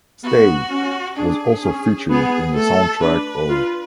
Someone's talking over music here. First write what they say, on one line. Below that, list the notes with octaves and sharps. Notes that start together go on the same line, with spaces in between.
"Stay" was also featured in the soundtrack of ".".
B3 F#4
C#4
D4 G#4
C#4
B3 G#4
A3 A4
D4 B4
F4